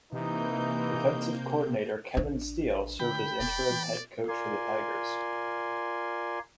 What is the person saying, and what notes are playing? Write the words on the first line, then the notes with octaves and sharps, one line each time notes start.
Defensive coordinator Kevin Steele served as interim head coach for the Tigers.
C3 E3 A#3 D#4 G6
A1 D4
D3 G5 B5
E1 D5
E3
F4 A#4 D5 G#5 C6